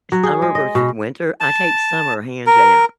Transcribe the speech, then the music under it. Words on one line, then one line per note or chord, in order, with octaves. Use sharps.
Summer versus winter, I take summer hands down,
F#3
G#4
G#3
D#5
B2
A5
A#4